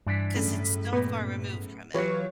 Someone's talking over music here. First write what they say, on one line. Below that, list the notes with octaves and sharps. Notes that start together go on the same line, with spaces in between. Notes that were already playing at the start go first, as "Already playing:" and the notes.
'cause it's so far removed from it.
G2 E3 D4 B6
F#2 A2 C#3
A#2 B3
E3 F#3 F4 G4 B4 C#5